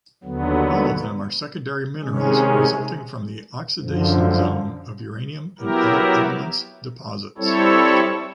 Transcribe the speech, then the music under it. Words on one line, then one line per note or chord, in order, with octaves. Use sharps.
All of them are secondary minerals resulting from the oxidation zone of uranium and other elements deposits.
D#2 D3 F#3 B3
C3 D#3 G#3 C#4
F#2 D3 F3
F#3 B3 E4 G4 A#4
G3 C4 E4 A4 C#5